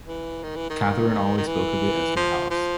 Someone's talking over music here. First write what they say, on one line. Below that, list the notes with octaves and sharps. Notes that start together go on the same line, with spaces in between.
Catherine always spoke of it as her house.
E3
D#3
E3
D#3
D#3
E3
F3
F3